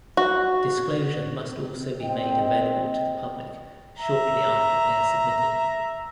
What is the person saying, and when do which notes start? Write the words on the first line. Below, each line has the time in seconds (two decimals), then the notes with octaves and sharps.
Disclosure must also be made available to the public shortly after they are submitted.
0.17 F#4
2.02 C4 D#5 G5
3.99 E5 A#5